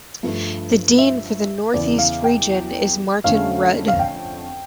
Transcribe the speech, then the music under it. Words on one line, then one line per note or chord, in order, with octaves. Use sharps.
The dean for the Northeast Region is Martin Rudd.
G2 F3 A3
E5
E2 C#3 E3 D5
F5
G5
F2 D3 A3 C#4 F5
F5
G5